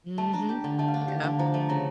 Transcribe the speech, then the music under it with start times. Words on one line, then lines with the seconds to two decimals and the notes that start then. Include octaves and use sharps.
Mhm, yep.
0.18 A3 A5
0.33 D4 A#5
0.49 G4
0.64 D3
0.79 A3 A5
0.88 F5
0.94 D4
1.08 G4 F5
1.19 F5
1.24 D3
1.29 A5
1.39 F3 A#5
1.54 A3 A5
1.69 C#3 A#5